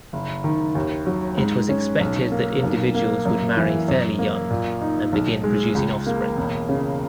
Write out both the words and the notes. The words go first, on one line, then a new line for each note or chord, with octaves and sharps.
It was expected that individuals would marry fairly young and begin producing offspring.
F#1
D#3
D#2
F#3
G#2
C#4
B1
A#3
B1
A#3
F#2
E3
F#2
A#3
A#2
D#4
B1
G#3
C#2
A#3
E1
C#3